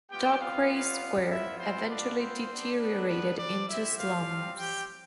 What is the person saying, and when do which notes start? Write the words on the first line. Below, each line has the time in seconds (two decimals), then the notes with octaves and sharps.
Dockwray Square eventually deteriorated into slums.
0.10 G3 B3 F4 G4 G5
0.40 F4 F5
1.30 B3 E4 F4 E5
1.60 C4 C5
1.90 D4 D5
2.19 C4 C5
2.50 G3 B3 D4
2.79 B3 B4
3.09 B3 B4
3.38 D4 D5
3.69 G3 C4 E4 G4 E5
3.98 F4 F5
4.58 G4 G5